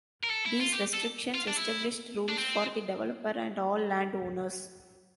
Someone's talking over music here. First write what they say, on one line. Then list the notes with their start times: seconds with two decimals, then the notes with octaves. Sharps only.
These restrictions established rules for the developer and all land owners.
0.24 A#4
0.31 A4
0.46 E4
0.60 F4
0.73 G4
0.93 A4
1.35 F4
1.48 D4
1.56 E4
2.29 D4
2.39 C4